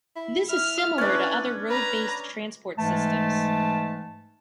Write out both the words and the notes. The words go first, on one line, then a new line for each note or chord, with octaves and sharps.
This is similar to other road-based transport systems.
E4
E4 F6
C#4 D4 B4
B4 A#5
G#2 E3 G#3 A3 A5